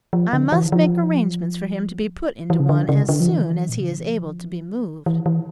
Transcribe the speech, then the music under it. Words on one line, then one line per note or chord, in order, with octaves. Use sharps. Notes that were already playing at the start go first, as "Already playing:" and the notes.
"I must make arrangements for him to be put into one as soon as he is able to be moved."
F3
D3
E3
F3
E3
C#3
D3
C#3
D3
F3
E3
A#2
C#3
D3
E3
F3
E3
E3